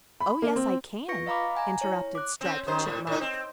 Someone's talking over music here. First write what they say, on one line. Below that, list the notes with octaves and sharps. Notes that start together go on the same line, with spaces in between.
"Oh, yes, I can," interrupted Striped Chipmunk.
B5
A#3
C4
F4 B4 C#6 A#6 C#7
D#5 F5 A#5 B5 D6
F#5 G#5 A#5
E4 C#5
D6 F#6
C4 C#4
F#2 D#3 C5
A2
A2 D#4
C4